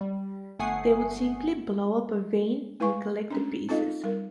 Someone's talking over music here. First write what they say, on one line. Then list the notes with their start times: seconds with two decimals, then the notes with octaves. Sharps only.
They would simply blow up a vein and collect the pieces.
0.01 G3
0.59 G1 A3 F#5 G#5 D#6 C7
2.80 A3 E4 B4 F5 G#5 C#6
3.30 A3 C#4 D4
3.69 C4 D#4 F4 A4 D#5 F5
4.04 G3 A#4